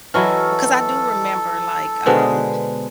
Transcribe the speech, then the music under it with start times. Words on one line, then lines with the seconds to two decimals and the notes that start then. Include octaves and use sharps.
because I do remember, like, um,
0.14 E3 F#3 E4 A4 D#5 C#6 F6
2.06 B2 D3 G#3 B3 B4 C5